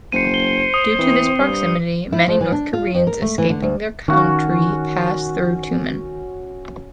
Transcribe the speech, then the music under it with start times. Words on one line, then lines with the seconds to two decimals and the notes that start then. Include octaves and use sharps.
Due to this proximity, many North Koreans escaping their country pass through Tumen.
0.12 F#1 C5 C#7 D#7
0.34 G7
0.74 D#6
0.99 E3 C4
1.39 G2
2.13 E4
2.28 F3
2.41 E3
2.52 D4
2.73 F4
2.95 F2
3.07 A#4
3.22 A3
3.38 E3
3.50 D3
3.62 D2
4.08 D#3 C#4 F#4